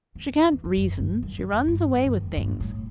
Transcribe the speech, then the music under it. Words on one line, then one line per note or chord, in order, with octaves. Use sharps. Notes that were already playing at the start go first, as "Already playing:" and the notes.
She can't reason; she runs away with things.
F2
E2
F2
F#2
G2
F#2
F#2
F2
G2
E2
F2
G2
A2